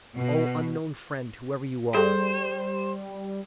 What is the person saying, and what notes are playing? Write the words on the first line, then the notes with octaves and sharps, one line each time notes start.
Oh, unknown friend! whoever you are.
B2
G3 G#4 A4 C5